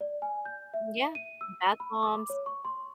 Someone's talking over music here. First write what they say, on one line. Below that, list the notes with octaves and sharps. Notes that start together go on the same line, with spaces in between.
Yeah, bath bombs
D5
G#5
G6
E5
D#7
E6
B5
D6
C#5
C#6
C6